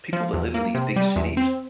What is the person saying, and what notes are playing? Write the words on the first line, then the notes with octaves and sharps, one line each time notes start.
people that live in these big cities,
F3
E2
A#3
C3
G3
E2
C4